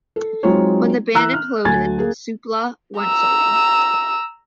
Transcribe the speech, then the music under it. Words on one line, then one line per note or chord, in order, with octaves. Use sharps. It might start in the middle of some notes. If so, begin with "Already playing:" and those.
When the band imploded, Supla went solo.
A4
F#3 G#3 C4 D#4 F4 C#5
E3 A#5 E6 F#6
F6
D2 F#3 G#5 G#6 A6
A#3 G#4
A#5 E6